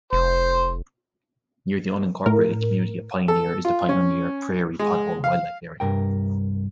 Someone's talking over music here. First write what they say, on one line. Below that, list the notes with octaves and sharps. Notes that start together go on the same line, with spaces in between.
Near the unincorporated community of Pioneer is the Pioneer Prairie Pothole Wildlife Area.
F1 C5
A2 A#4
A4
F4
C#4
G#3
F5
C2 G2 A#4 G5